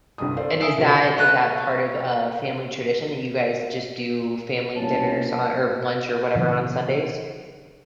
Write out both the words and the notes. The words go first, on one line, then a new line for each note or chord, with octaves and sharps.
And is that is that part of a family tradition that you guys just do family dinners on or lunch or whatever on Sundays?
G1 C2 G2 D#6
A4 C5 D5 F5
E5 G#5 D#6 E6 C7 E7
C3 F3 F#4 A4
A3 B4 A#5 F#6
C2 A#2 F3 A#3 C#4 A5
A#2 C#3 E3 F#3